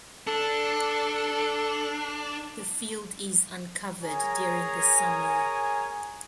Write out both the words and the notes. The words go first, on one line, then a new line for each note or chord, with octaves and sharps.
The field is uncovered during the summer.
D4 A4
G#4 A#4 C#5 G#5 A#5